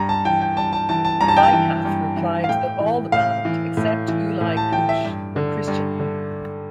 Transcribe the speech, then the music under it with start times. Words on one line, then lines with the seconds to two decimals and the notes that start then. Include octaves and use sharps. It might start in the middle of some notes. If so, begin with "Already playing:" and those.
Weikath replied that all the band, except Uli Kusch, were Christian.
Already playing: G2 A#5
0.09 A5
0.25 E3 G5
0.41 G5
0.57 G2 A5
0.73 A5
0.89 E3 A5
1.05 A5
1.21 G2 A#5
1.28 A5
1.37 G5
1.43 A5
1.53 E3
1.85 G2
2.17 E3
2.44 F5
2.49 A2 G5
2.80 E3
3.12 A2 F5
3.45 E3
3.77 A2
4.08 E3
4.41 A2
4.57 A5
4.72 E3 G5
4.89 E5
5.05 G2
5.36 D3
5.68 G2
6.00 D3